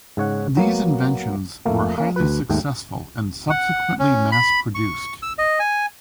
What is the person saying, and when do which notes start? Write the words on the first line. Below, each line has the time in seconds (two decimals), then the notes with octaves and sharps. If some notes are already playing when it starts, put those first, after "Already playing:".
These inventions were highly successful and subsequently mass produced.
0.17 G#2 C#3 C#5 F#5
0.57 F#3 A#3 B3
1.65 F2 A3 A#3
1.98 A#3 C#4
2.16 D2 B4
2.50 D#2 G#2 A3 G5
3.50 F#5
3.99 C#4
4.32 B5
4.75 C#6
5.22 E6
5.38 D#5
5.59 G#5